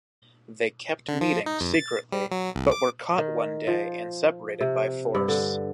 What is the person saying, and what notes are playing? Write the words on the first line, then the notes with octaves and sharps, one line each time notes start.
They kept meeting secretly but were caught one day and separated by force.
D3
F3
D#4
F2
A6
G3
F#3
C2
D6
D#3
F3
C3
G2
D3